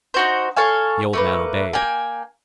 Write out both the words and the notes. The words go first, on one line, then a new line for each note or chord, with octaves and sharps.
The old man obeyed.
D#4 F#4 C5
A4 C#5 F5 G#5
A3 A#3 B4
A#3 G5 G#5